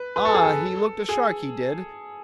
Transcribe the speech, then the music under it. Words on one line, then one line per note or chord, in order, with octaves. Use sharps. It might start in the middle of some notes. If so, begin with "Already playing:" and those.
Ah, he looked a shark, he did!
Already playing: B4
B4
A4
G#4
A4
G#4